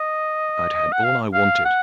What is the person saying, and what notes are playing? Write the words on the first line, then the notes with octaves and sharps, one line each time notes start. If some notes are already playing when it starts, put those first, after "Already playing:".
I'd had all I wanted.
Already playing: D#5
F#5
F5
F5
F#5